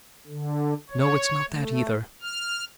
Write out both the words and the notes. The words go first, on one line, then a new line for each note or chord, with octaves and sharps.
No, it's not that either.
D3
C#5
A3
F6